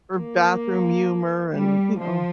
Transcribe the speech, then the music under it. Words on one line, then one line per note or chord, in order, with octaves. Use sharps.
or bathroom humor, and, you know
A#3
G3
F3